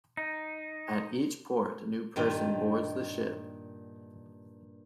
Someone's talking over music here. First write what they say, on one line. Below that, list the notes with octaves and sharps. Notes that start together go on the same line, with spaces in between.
At each port, a new person boards the ship.
D#4
G2 A#2 D#3 G4